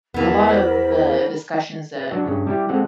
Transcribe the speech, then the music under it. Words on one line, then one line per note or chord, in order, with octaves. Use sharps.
the, uh, a lot of the discussions that,
E2 E3 B3 A#4 B5
C5
B4
F#3 D4
G2 C#3 C#4
G3 E4 G4
G#3 C4 A4 F5 F#5